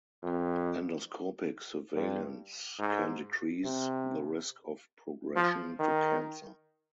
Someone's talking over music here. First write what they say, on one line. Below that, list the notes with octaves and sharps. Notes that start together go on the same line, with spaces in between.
Endoscopic surveillance can decrease the risk of progression to cancer.
F2
G2
G#2
C3
F3
D#3